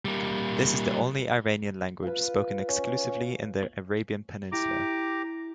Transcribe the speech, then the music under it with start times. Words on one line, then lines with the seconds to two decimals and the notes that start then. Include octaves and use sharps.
This is the only Iranian language spoken exclusively in the Arabian Peninsula.
0.05 G3 A#3
2.03 F4 B4
2.68 C#4
4.52 E4 G4 A#5 D6